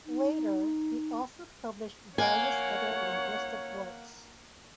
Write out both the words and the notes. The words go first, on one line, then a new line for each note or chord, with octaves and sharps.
Later, he also published various other linguistic works.
D#4
A#3 C#5 F#5 G#5